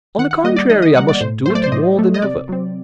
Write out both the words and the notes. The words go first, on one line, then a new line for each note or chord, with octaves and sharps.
On the contrary, I must do it more than ever.
D#3 F#5
F#5
G3 A#3 D#5
D5
D#3 D#5
D#5
G3 A#3 F#5
D5
A2 C5
F#3 A3 C5
D5
C5
A2 D#5
F#3 A3
D#5
C3 D5
F#3 C4